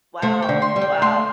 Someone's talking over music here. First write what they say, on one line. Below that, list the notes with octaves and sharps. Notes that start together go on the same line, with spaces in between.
Wow! Wow!
A3 C5
G5
D3
C6
G3
G5
A3 C6